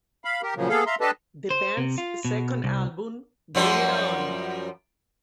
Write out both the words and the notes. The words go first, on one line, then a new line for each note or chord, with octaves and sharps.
The band's second album, Bring It On!
F5 B5
G4 A#4
A#2 C#3 F3 F#3 A#3
A#3 B3 G#4 A4 F5
E5 F5 A#5 C6
D4 G4 A4 B4 D#5 A5
C5
C3
F4
B2
C2
F#2 F3 G3